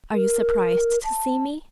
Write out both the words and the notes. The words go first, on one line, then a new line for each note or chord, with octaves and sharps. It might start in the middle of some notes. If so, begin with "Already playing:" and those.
"Are you surprised to see me?"
A#4
A5